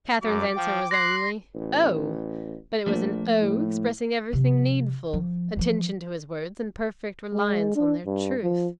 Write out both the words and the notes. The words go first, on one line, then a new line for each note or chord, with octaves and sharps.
Catherine's answer was only "Oh!"--but it was an "Oh!" expressing everything needful: attention to his words, and perfect reliance on their truth.
F#2 D6
F3 G5
C6 F#6 A#6 C7
A1
A#1 F3 A3 A#3
A2
C3 F3
F3
E3 F3
G#3
D4
G2
F3